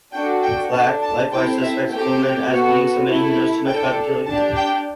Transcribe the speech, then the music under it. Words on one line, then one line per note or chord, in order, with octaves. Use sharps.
Flack likewise suspects Coleman as being somebody who knows too much about the killing.
D4 F#4 A4 G5
G5
D4 A4 A5
A5
C4 E4 A4 G5
E5
A3 C4 G4 G5
B3 F#4 A4
A3 E4 A4
D4 A4 G5
D4 G4 A5
G5